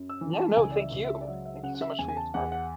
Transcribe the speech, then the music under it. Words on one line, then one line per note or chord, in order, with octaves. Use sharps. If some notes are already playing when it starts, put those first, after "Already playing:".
Yeah, no, thank you. Thank you so much for your time.
Already playing: F#2
E6
E3
A5
C#2 G#5
D5
E5
C#2
E5
D5
F#3 E5
E5
C#3 F#5
F#5
E5
E2 G#5
G#5
A5
E2 F#5
F#5